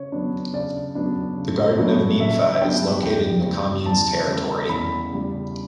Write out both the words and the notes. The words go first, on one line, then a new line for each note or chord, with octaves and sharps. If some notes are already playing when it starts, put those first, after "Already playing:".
The Garden of Ninfa is located in the commune's territory.
Already playing: C#3 C#5
F#3 B3 D4
C#3 D5
F#3 B3 D4
C#3
F#3 B3 D4
C#3 E5
F#3 B3 D4 G5
E2 G5
C#3 G3
E2 A5
C#3 G3
E2 B5
C#3 G3